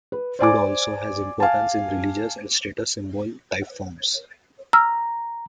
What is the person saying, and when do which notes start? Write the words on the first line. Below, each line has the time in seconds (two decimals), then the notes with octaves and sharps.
Food also has importance in religious and status-symbol type forms.
0.12 B4
0.39 C5 D5 G#5 D6
1.40 F5 G#5 A5
4.73 A#5 E6 F6